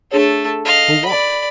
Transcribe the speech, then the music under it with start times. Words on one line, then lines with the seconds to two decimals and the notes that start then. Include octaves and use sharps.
For what?
0.11 A3 D4 G#4 A4 C#5
0.65 D#5 F5
1.06 D5 B5